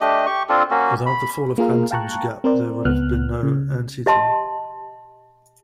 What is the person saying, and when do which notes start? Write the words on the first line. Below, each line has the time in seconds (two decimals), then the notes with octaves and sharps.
Without the fall of Crampton's Gap there would have been no Antietam.
0.01 A3 D4 G4 D#5
0.26 G4 C#6
0.49 C4 D4 F4 A4
0.71 A#3 C#4 F#4
1.06 B5
1.58 A#3 F4 G#4 A#4 F5
1.91 F5 G5 A5 A#5 C#6 F#6
2.44 C4 A#4 C5 D5
2.85 C#2 B3 F6 F#6
3.43 C#3
4.06 G4 D#5 A5 C6